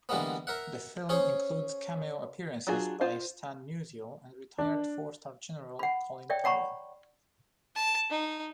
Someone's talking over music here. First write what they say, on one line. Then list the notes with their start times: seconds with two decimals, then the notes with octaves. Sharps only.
The film includes cameo appearances by Stan Musial and retired four-star general, Colin Powell.
0.09 D3 E3 G3 G#3 A#3 B3
0.47 A#4 E5 F#5
1.09 C#4 G#4 C5 C#5
2.67 F#3 D4 F4 F#4 G#4
3.01 F4 C5 F5
4.58 D4
5.79 F#5 B5
6.30 C#5 D5 E5 G5
6.44 C#5 F#5 A#5 B5 C#6
7.75 A5
8.10 D#4